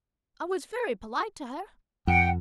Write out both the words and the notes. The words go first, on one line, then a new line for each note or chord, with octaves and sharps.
I was very polite to her.
F2 F#5 G5